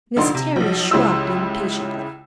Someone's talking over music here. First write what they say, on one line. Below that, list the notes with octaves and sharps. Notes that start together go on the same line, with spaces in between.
Miss Terry shrugged impatiently.
F1 A#1 D3 D#4 C6
C3
B1 F3
C#2 C#3 E4 G4 C6 E6